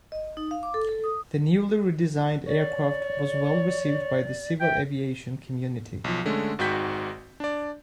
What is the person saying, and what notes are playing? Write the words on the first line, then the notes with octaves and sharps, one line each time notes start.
The newly redesigned aircraft was well received by the civil aviation community.
D#5
D#4
F5
D6
A4
A4
D#6
C#5 D5
E5 G5
B1 F3
D3 G#3 A3 C#4
G#1 G#2 F#4 G5 G6 B6
D4 D5